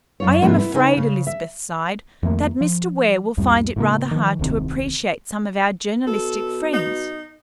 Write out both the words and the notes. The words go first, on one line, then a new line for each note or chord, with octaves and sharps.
"I am afraid," Elizabeth sighed, "that Mr. Ware will find it rather hard to appreciate some of our journalistic friends."
F#2 F4 C#5
G#2 C3 F3 A3 A#3 E4
B3 E4
C#3 B3 D#4 G#4 G#5
C#3
E5
F2 D#3 A3 A#3
F3
C2 F2 A2 G3
A2 C#3 A#3
D#3 F3
D#1 C2 C3 D#3
B2 A4
D#4